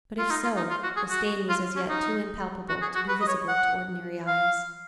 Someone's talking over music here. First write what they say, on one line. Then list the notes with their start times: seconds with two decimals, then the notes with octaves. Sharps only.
But if so, the stain was as yet too impalpable to be visible to ordinary eyes.
0.19 F4
0.30 D#4
0.43 F4
0.56 D#4
0.70 F4
0.83 F#4
0.96 G#4
1.10 F#4
1.49 F4
1.76 C#4
1.89 D#4
2.69 F#4
2.82 G#4
2.95 F#4
3.08 B4
3.21 D#5
3.28 C#5
3.48 F#5
4.27 F5